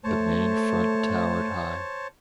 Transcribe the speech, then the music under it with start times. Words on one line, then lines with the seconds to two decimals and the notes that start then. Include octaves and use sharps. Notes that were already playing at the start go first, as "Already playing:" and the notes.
The main front towered high.
0.04 A3 C5 C#5 A5